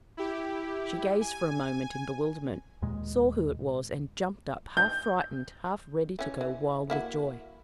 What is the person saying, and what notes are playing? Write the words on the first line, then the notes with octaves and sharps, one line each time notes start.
She gazed for a moment in bewilderment, saw who it was, and jumped up half frightened, half ready to go wild with joy.
E4 G4
G#5
D#2 A#2 G#3
G6
E3 C#4
E3
A#3 E4 F#4